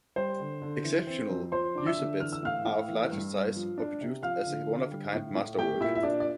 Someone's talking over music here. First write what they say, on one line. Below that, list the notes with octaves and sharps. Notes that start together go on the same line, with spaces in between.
Exceptional ushabtis are of larger size, or produced as a one-of-a-kind master work.
G3 C5 C6
D3
D3
E3
C4
F2
F3 C5 C6
D4 D6
E5 E6
D3
E3 F6
E6
A2 F5 F6
A2
E3
G2
G2
F3
D4
C3
F3 F5 F6
D3
D3
G3
A2
A2
A3 G4 G5
A#2 E4 E5
E5
A#2 D4 D5
D5